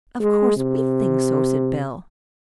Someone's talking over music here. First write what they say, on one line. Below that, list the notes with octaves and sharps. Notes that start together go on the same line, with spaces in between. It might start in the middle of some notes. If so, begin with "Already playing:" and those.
"Of course we think so," said Bell.
G#3
C3